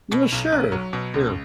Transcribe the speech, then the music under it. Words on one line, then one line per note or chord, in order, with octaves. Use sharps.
Well, sure. Yeah,
B2
B1
B1
F#3
B2
C#2